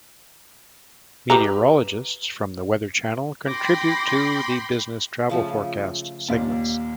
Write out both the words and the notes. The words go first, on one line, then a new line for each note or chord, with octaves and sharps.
Meteorologists from The Weather Channel contribute to the "Business Travel Forecast" segments.
G4 B4 A#5
G5 B5 C6 D6 A#6
C#3 F3 A3
D#2 A#2 D5